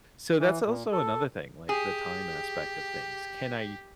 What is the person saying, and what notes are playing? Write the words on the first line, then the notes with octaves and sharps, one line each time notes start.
so, that's also another thing, like, the time aspect of things. Can I
E3
A#2
A4
G4 G#4